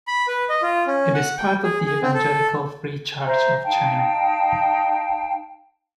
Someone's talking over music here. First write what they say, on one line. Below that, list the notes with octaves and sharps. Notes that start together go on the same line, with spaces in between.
It is part of the Evangelical Free Church of China.
B5
B4
D#5
F4
C#4
F#5
G5
G#4
G#4
C4
A4
C5 E5 A#5
D#4 F5 G5 A5